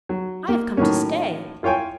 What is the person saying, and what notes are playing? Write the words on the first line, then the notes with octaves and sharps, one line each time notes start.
"I have come to stay."
F#3
A#3
A2 D#3 F#3 A#3 C#4
E4 F4 C#5 G5 G#5